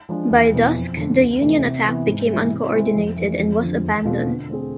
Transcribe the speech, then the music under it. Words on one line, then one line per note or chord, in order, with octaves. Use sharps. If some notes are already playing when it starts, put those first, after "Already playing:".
By dusk, the Union attack became uncoordinated and was abandoned.
F3 G#3 D4 F4
E2
B2 B3 E4
F2
D3 A3
D2
C3 E3 A3
C3
E3 B3
G#2
E3 G#3
C3
G#3 C4 E4
F2
E3 A3
F2
D3 F3
E2
B2 A3 C4 F4
D3
A3 C4 G#4